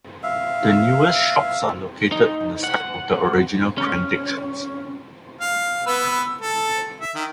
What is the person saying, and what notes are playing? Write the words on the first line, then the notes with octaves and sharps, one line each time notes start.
The newest shops are located on the site of the original Crandic shops.
E5 F5
D#4
F#5
C#4
F5
B3 B4 E6
A4
E5
D#3